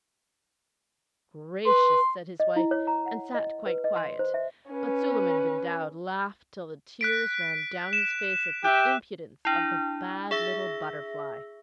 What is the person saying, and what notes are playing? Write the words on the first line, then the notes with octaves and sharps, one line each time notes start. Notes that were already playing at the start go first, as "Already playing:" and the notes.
'Gracious!' said his wife, and sat quite quiet; but Suleiman-bin-Daoud laughed till the tears ran down his face at the impudence of the bad little Butterfly.
B4 C6
D#5
E4
C#5
A#5
F#5
D#5
B4
D#5
C6
C5
E5
C#4 B4
F#6 B6 D7
E7
G4 E5 G5 F#6
D4 E4
G#4 E5 E6 A#6